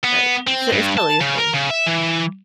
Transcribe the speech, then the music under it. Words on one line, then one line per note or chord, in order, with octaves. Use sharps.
right, it's a silly thing.
B3
C4
G2
A5
C#3
A#4
C#3
E5
E3